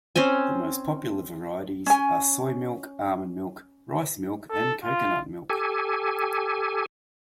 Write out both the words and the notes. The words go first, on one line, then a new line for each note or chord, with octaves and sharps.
The most popular varieties are soy milk, almond milk, rice milk and coconut milk.
C4 C#4 C5 G#5
C#4 G#5
A4
F4
G4 A4 G#5